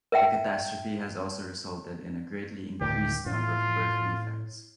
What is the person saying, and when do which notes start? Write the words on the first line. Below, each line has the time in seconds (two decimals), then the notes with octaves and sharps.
The catastrophe has also resulted in a greatly increased number of birth defects.
0.12 A#4 E5 G5
2.81 D2 A2 D#3 G4
3.26 A2 F4